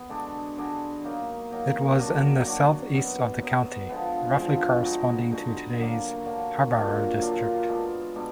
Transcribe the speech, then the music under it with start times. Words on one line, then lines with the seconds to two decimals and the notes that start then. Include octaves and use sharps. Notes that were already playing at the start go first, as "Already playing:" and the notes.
It was in the south-east of the county, roughly corresponding to today's Harborough district.
Already playing: B3
0.09 D3 G#3 D4 F#4
0.58 D3 G#3 D4 F#4
1.04 F#3 A#3 D#4
1.52 F#3 A#3 D#4
1.99 F#3 D4 F#4
2.46 F#3 D4 F#4
2.93 B2 F#3 B3
3.42 B2 F#3 B3
3.89 D3 F3 G#3 B3
4.36 D3 F3 G#3 B3
4.84 D3 G#3 D#4 F#4
5.32 D3 G#3 D#4 F#4
5.78 D3 F#3 A#3
6.25 D3 F#3 A#3
6.73 A#2 F#3 D4 F4
7.21 A#2 F#3 D4 F4
7.68 B2 G#3 D4
8.15 B2 G#3 D4